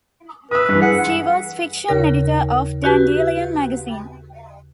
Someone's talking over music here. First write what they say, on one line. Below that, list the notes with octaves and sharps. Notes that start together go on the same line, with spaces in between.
She was fiction editor of "Dandelion" magazine.
B4 D#6 E6
G2 E3
G#4 F#5
D#2 C#3 A#4
F#4 G4 B4